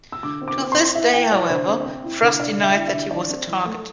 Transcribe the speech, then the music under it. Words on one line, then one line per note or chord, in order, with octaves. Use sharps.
To this day, however, Frost denies that he was the target.
E6
D3 D6
C4
D6
C4
C6
E4
E4 E5
E4 G5
E4 D5
D3 C5
C4
C4
E4
D3
D3 D5
D3
E5
E4
E5
D3
E3 D5
C4
E3
A3